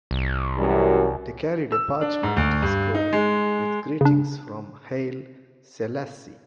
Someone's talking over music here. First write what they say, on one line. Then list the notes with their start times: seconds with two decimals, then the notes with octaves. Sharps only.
They carried a parchment scroll with greetings from Haile Selassie.
0.11 C2
0.58 F#2 E3 G3
1.72 E6
2.01 D4
2.23 G#2
2.36 D2
2.62 G2
2.94 D#4
3.13 G#3
4.01 C#3 D4